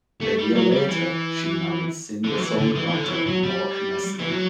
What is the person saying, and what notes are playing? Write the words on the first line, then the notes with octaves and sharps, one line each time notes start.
A year later, she married singer-songwriter Mark Nesler.
A3
G3
F#3
G3
E3
D3
F#3
E3
D3
E3
E3
D3
F#3
E3
F#3
G3
E3
F#3